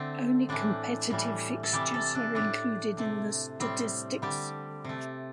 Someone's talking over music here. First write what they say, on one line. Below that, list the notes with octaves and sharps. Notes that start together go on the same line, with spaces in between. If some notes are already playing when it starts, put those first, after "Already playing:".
Only competitive fixtures are included in the statistics.
Already playing: D3 A3 C4
A2 E3 A3 D4
A2 E3 G3
A4
C3 E3 G3 G4
A4
D4
A2 A3 D4
C3 A3
A2 G3 C4
D3 G3 G4
C3 A3